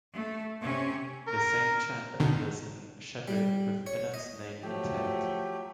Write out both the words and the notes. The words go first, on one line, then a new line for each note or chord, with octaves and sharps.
The same chant appears in "Shardik" with Inanna's name intact.
A3
C3 C#4
A#4
B2 D3 D#3
G3
C#5
D#5
F3 F#3 A3 G4